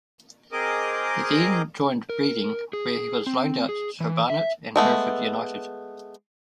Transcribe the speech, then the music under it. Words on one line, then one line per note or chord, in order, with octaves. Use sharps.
He then joined Reading, where he was loaned out to Barnet and Hereford United.
C4 G#4 A#4 D#5 D6 D#6
A#4
G#4
C4
G#4
E3
E5
G#3 A3 B3